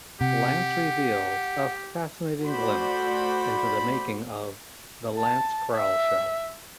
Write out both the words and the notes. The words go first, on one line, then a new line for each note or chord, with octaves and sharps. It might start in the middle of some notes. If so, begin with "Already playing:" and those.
Lance reveals a fascinating glimpse into the making of The Lance Krall Show.
C3 G4 F#5
A3 F#4 C5 D5 B5
A5
E5